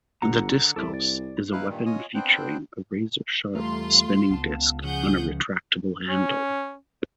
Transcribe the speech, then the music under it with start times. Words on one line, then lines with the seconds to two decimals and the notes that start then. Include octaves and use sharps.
The diskos is a weapon featuring a razor-sharp spinning disk on a retractable handle.
0.22 G1 D3 F#5 A#5
0.76 C2 A4 D5 E5
0.94 D5
1.52 B2 D#4 E4 B4 F5 F#6
1.68 G2 A#2 D#3
1.86 F4 C#5 D#5 G#5 D#6
2.15 B3 C4 D4 C5 G5 F#6
3.55 E2 G3 A3 F4 A#5 C6
4.31 C#2 B3 F5 A5
4.84 C#3 F3 G#4 F#5 G6
6.09 C#4